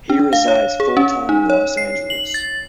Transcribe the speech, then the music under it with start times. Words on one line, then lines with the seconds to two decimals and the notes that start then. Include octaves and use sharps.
He resides full-time in Los Angeles.
0.10 D4
0.33 F5
0.48 C#5
0.80 G#4
0.97 C#4
1.29 D#4
1.50 C#5
1.77 C7
2.10 F#7
2.34 A6